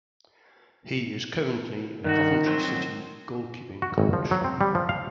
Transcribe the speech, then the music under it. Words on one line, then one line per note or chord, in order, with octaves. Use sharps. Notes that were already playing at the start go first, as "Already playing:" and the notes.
He is currently a Coventry City Goalkeeping coach.
G2 D#3 A3 F#4
F3 F#3 C4
F#4
G#1
F3
F#3
C4
G3
F3
F5